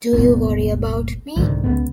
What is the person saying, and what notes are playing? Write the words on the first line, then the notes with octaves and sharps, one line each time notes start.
Do you worry about me?
F1 C2 A#2 B3
C2 G#2 D3 D#3
C#2 B3